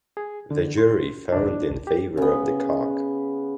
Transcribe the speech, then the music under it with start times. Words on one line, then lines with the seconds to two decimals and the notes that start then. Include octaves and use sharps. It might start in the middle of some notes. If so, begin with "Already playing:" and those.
The jury found in favor of the cock.
0.17 G#4
0.51 D3
0.78 C6
1.32 D4
1.87 G4
2.17 C#3 B3